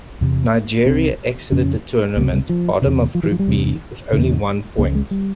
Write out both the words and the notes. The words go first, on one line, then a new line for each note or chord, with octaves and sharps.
Nigeria exited the tournament bottom of Group B with only one point.
E2 C3
C2 C3 C4
F2 C#3 C#4
C#2 C3 A#3
G3
F3
E2 C3
F3
E3
F3
G3
E2 C3
E2 C#3
C#2 C#3 A#3
G#3
G3